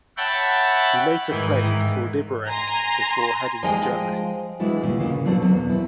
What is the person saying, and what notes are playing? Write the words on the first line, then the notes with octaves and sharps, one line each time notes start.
He later played for Liberec before heading to Germany.
C#5 E5 F#5 G5 A5 B5
G#2 D#3 E3
G#5 A#5 C6
F3 G#3 F#5 G5
E3 G#3 D4 E4 F#4 A4
D2 A#2 C#3
C#3 E3 A#3
B2 F#3 C4 D4 A4
E2 B2 F#3
C4 E4